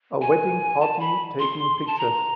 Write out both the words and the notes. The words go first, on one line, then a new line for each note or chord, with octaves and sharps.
A wedding party taking pictures.
G#5
A5
B5
C6
A5
A#5